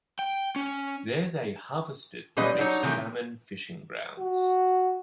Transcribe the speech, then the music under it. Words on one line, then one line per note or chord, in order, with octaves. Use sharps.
There they harvested the rich salmon fishing grounds.
G5
C#4
A#2 F#3 G3 C#4 B4 D#5
F#3 D4 D#4 C#5
C3 D#3 E3 G#3 A3
F#4